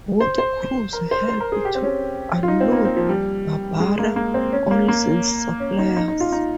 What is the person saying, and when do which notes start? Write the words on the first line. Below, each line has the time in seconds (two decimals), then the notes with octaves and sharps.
Both crews helped to unload "Barbara Olson"s supplies.
0.21 C5
0.38 C5
0.93 A#4
1.11 C5
1.29 C5
1.40 A#4
1.52 G#4
1.65 G4
1.75 C4
1.83 C#4
2.43 F4
2.48 D#4
2.60 C4
2.72 A#3
2.84 C4
2.96 F3
3.09 G3
3.80 G#3
3.99 A#3
4.16 A#3
4.34 C4
4.52 C#4
4.71 A#3
4.88 A#3
5.60 C#4
5.79 D#4
5.96 D#4
6.08 D#4
6.20 F4
6.32 D#4